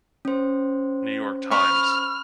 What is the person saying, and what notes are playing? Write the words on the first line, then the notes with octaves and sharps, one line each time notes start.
New York Times.
C#4 C5
B5 C#6 F6